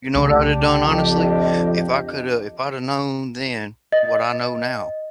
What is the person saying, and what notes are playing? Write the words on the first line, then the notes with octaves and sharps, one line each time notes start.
You know what I would've done, honestly? If I coulda if I'd have known then what I know now,
C2 C#3 A3 D4 G4
F2 D#5
D#5